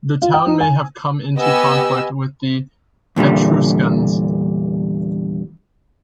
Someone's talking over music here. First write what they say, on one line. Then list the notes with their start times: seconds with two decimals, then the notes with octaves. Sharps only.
The town may have come into conflict with the Etruscans.
0.22 F4
0.34 G5
0.47 D#4
0.60 G#5
1.37 B3 G4 D#5 G#5 E6
3.16 E2 A#2 D3 G3